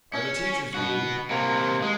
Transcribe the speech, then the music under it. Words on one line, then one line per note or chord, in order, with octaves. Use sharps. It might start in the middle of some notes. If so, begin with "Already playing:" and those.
"Are the teachers mean?"
C#4
B3 F#4
C3 A#3
G#3